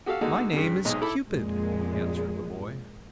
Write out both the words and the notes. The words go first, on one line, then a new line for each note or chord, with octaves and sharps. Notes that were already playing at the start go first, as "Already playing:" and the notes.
"My name is Cupid," answered the boy.
F#4 G4 A4 F5
D3 G#3 A#3 D#4 F#4 A4
G2 C#3
B1 G#2 D#4 D#5
E4 A4 B5 D6
F2 A#2 G#3